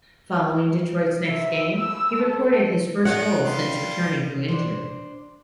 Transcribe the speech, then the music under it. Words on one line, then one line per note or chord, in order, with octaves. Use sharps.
Following Detroit's next game, he recorded his first goal since returning from injury.
E5
E6
A4
D#3 D4 F#5
G3 F4
D4 C5